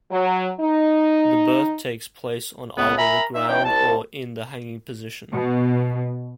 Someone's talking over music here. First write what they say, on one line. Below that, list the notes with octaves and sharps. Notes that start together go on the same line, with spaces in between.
The birth takes place on either the ground or in the hanging position.
F#3
D#4
C#2 B3
A#4 E5 G#5 A#5 B5
D#4 E5
E3 C#4 D#4 G5
C2 A5
B2